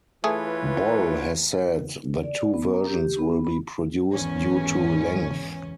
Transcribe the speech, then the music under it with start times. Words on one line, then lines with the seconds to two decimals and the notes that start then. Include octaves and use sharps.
Boll has said that two versions will be produced due to length.
0.24 E3 A3 F4 G#4 B4 C#5
2.23 D5
2.54 B3
2.73 A#5
2.87 G4
3.19 B3
3.45 B5
4.12 G#1 E2 C#4